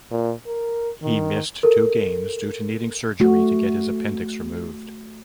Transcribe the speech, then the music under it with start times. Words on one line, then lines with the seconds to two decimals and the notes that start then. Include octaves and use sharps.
He missed two games due to needing surgery to get his appendix removed.
0.11 A#2
0.46 A#4
1.02 D#3
1.63 A4 A#4
3.20 A3 F#4